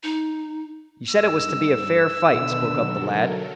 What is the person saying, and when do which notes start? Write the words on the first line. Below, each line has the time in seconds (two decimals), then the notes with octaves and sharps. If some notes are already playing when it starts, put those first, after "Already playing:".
"You said it was to be a fair fight," spoke up the lad.
0.03 D#4
1.10 G2 E6
2.28 B2 D3 D#3 D4 B4
2.74 F#3 A4 A#4